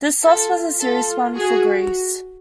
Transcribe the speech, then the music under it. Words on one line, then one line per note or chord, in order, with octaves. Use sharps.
This loss was a serious one for Greece.
F4 A4
F4 A4
F#4 G#4